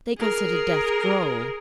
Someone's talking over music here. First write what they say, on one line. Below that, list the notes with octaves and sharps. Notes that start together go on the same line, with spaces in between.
They considered death droll.
G#4 A#4